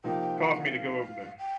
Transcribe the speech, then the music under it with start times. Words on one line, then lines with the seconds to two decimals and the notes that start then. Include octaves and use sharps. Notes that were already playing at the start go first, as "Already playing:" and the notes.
cause me to go over there.
0.04 C3 F3 A#3 D#4 G5
0.38 F#5
0.66 E5
0.72 F5
1.39 G5